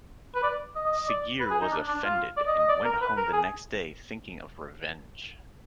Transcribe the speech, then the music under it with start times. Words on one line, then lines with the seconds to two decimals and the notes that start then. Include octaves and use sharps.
Siggeir was offended and went home the next day thinking of revenge.
0.35 B4
0.43 D5
0.75 D#5
0.86 D#5
0.97 D#5
1.08 D5
1.40 B4
1.51 G#4
1.61 D#4
1.72 D4
1.88 D4
2.04 F4
2.37 D5
2.47 D#5
2.58 D#5
2.69 D5
2.85 A#4
3.01 B4
3.17 A#4
3.33 G#4